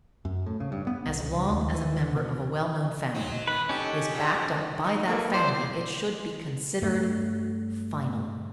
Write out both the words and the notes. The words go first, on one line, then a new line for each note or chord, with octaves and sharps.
"As long as a member of a well-known family is backed up by that family it should be considered--final."
F#2
A2
C#3
G2
B3
B1
C#2
D#2
E3
D3
B2
F#3 C4 D#4
D#3 B4
C#4 D#4 G4 A4
A#2 C#3
D#4
A#3 A4 B4
E4 C5 D5
G2 A3